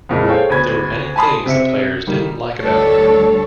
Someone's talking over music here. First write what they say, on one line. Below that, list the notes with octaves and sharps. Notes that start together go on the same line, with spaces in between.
There were many things the players didn't like about him.
F2 A#2 G#3 E4
G#4 A4 C5 C#5 F5 G5
D2 B3 B5 G#6
G#5 A5 B5 C6 D#6
C3 E5 C#7
D#3 G3 A#3
D2 G3 D4 A4 C#5